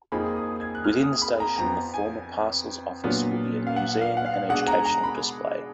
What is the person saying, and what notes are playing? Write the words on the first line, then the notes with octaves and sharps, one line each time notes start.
Within the station the former Parcels Office will be a museum and educational display.
F2 F3 A#3 D#4 G#4 B5
D#6
G#6
F#6
F6
D#6
B5
A#5
F2 F3 B3 A#5
G#5
A#2 F#3 B3 D4 F4
F5
F#5
F5
F#5
F5
B2 G#3 D4 G#4 F#5
A#5
A#5
B5